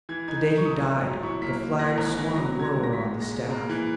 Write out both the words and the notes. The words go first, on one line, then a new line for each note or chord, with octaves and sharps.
The day he died, the flag swung lower on the staff.
E3 G#6
D#4 G#6
D#4
C#6
A#1 D#6
A#1
F#3
E4 C#6
A#3 B6
A#3
E3 A#6
G#1
E3
F#3 A#6
F#3 G#6
A#6
G#2
A#6
A#2 B6
G#3
A#6
G#3
A#3
E3